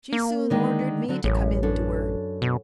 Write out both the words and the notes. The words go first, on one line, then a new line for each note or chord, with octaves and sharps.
She soon ordered me to come in to her.
A#3
D3 D#3 G#3
D3 F#3
A1 F#2
F#2 D4 A4
B2